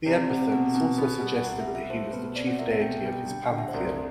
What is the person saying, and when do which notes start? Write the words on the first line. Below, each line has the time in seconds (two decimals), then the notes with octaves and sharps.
The epithets also suggest that he was the chief deity of his pantheon.
0.06 C3 D5
0.29 C3 F#5
0.52 B2 F#5
0.75 B2
0.98 B3
1.21 G3
1.44 C2 F#5
1.60 E5
1.67 G3
1.75 E5
1.90 A3 C5
2.13 B2 B4
2.35 C4 D5
2.47 F#5
2.59 C2 E5
2.71 E5
2.82 B2 G5
2.97 G5
3.05 G3
3.13 G5
3.28 D3 G5
3.43 F#5
3.51 D3
3.58 E5
3.68 C5
3.74 C2 D5
3.89 A4